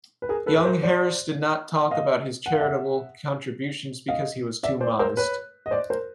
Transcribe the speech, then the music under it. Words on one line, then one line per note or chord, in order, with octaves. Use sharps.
Young Harris did not talk about his charitable contributions because he was too modest.
B4
G#4 A#4
A4 B4
B4
A#4 C5
C5 D5
D#5 F5
F#5
F5
E5 F#5
D#5 F5
D5 E5
C5 D5
A#4 C5
B4 C#5
D#5
C5 D5
A#4 C5